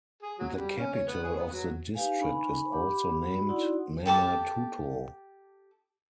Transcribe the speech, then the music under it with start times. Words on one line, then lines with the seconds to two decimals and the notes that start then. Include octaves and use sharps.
The capital of the district is also named Manatuto.
0.23 G#4
0.39 F#3
0.54 G3
0.78 C#4
0.93 C#5
1.07 B3
1.23 G#4
1.36 B3
1.52 F#3
1.95 D#4 G4 B4 F5 G#5
2.19 D4 D#4 G#5 B5 C#6
2.72 G4 F#5 B5 D6
3.21 F#4 B5
3.49 D#4 E4 F#4 D5 F#5 C6
4.06 G4 A4 A5 D6